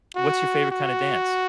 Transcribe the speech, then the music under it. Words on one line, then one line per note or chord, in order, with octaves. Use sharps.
what's your favorite kind of dance?
F#4
F#4